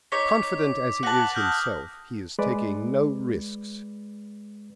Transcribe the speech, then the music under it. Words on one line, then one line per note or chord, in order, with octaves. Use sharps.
Confident as he is himself, he is taking no risks.
D#4 C#5 D6 B6
F#5 A5 F#6 A#6 F#7
D#6 F6 G6
G#3 B4 D5